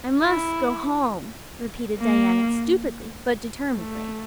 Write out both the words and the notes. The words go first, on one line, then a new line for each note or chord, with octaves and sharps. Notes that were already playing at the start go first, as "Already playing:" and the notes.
"I must go home," repeated Diana, stupidly but determinedly.
E4
A#3
A3